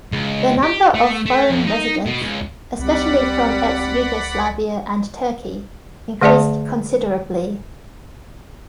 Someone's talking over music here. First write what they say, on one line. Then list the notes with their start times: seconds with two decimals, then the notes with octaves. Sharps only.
The number of foreign residents, especially from ex-Yugoslavia and Turkey increased considerably.
0.13 C#2
0.63 G4
0.94 A3
1.26 A3
1.50 F2
1.67 D#4
2.06 B2
2.22 C#2
2.79 C#2 G3 C4 D5 F#5 B5
6.21 D3 A3 G#4 D5 E5 A5